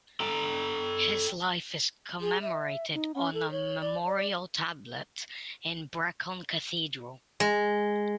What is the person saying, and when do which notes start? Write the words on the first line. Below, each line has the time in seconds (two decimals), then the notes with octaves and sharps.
His life is commemorated on a memorial tablet in Brecon Cathedral.
0.20 A4 G5 A#5
2.21 G#4
2.42 E5
2.94 D#4
3.15 C#4
3.34 A4
3.51 C#5
3.81 D5
4.06 D5
7.40 G#3